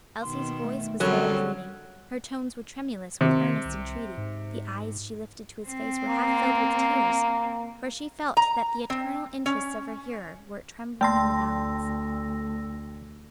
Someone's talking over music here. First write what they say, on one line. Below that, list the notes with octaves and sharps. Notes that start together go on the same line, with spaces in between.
Elsie's voice was low and pleading, her tones were tremulous with earnest entreaty, the eyes she lifted to his face were half filled with tears; for she felt that the eternal interests of her hearer were trembling in the balance.
B2 D#3 C6
A3
F#2 D3 F#3 G3 C4 A4
C3 D#3
C2
G#2
C4
A#3
A#5
C4
C#4
D2 A3 G5 A5 C6 E6 A#6